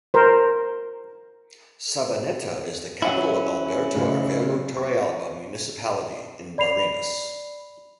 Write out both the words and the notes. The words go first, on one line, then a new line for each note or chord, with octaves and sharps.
Sabaneta is the capital of Alberto Arvelo Torrealba Municipality in Barinas.
A#4 C5
F#3 C#4 E4
A2 C#3 D#4
C#6
D5 B5 C7 F7